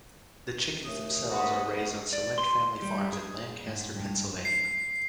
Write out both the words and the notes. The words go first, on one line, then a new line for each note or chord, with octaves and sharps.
The chickens themselves are raised on select family farms in Lancaster, Pennsylvania.
D#2 A3 D#6
B3 F#4
D5
C6
G3
G#4
G#2
G2
C7